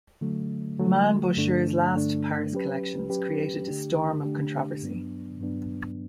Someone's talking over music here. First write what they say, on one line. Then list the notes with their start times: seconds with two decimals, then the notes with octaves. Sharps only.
Mainbocher's last Paris collections created a storm of controversy.
0.21 D3 F#3 A3
0.79 D3 F#3 A3
1.37 G2 D3 A3 D4
1.95 G2 D3 A3 D4
2.53 F#3 C#4 G4 B4
3.09 F#3 C#4 G4 B4
3.67 D3 A3 D4 G4
4.25 D3 A3 D4 G4
4.82 G2 F#3 B3 D4
5.41 G2 F#3 B3 D4